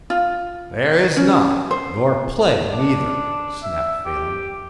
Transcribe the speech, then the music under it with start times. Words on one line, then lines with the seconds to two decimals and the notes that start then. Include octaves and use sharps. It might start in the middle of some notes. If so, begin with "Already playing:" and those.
"There is not, nor play neither," snapped Phelan.
0.10 F4
1.16 C#4
1.71 C5
2.72 D4
3.63 E5
4.05 G4